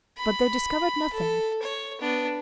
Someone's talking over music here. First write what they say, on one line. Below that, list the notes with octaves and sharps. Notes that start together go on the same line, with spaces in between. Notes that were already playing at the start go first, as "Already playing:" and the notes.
But they discovered nothing.
B5
A4
C#5
B3 D4